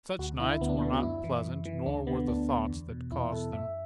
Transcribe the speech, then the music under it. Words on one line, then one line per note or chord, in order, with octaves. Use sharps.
Such nights were not pleasant, nor were the thoughts that caused them.
D2 F#4
D3 E4
D2 B3
D4
B3
D3
F#4
F#2 E4
E3
F#2
E3
D2 D4
D3 B3
D2 D4
D3
E2
B2
E2 E4
B2 A4
F#2 E5